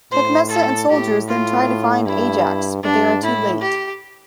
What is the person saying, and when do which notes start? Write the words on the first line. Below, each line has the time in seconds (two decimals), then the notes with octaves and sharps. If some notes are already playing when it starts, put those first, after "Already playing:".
Tecmessa and soldiers then try to find Ajax, but they are too late.
0.12 A2 C5
0.50 A4
0.89 A2 G4
1.28 F4
2.06 G2 E4
2.83 G2 D4
3.22 A2 E4
3.62 G4